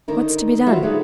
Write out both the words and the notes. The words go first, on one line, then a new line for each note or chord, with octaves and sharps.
What's to be done?
D3 D#3 D#4 A#4
F#3 G3 B3 F4 F#4 E5
D3 B3 D#4 G#4 A4